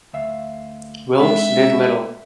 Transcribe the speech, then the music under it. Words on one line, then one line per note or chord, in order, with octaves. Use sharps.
Wilkes did little.
D2 E5 F5
G#3 C4 D4 E5